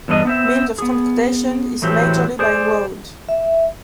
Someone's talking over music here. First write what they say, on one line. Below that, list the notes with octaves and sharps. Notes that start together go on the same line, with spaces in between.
Means of transportation is majorly by road.
E2 G2 D4 F4 D#5
B3 C4 E5
B3 G#4
A2 E3 F#3 C4 G4
G#4 C5 D5
E5